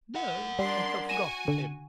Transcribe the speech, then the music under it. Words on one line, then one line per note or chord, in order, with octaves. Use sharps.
"No, I have forgotten him."
A#4 F#5
G3 D4 D5 C6
F#4 G#5 A#6 D#7 E7
D3